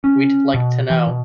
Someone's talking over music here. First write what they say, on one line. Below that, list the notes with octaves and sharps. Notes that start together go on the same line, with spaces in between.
We'd like to know.
C#4
B2
E3
B2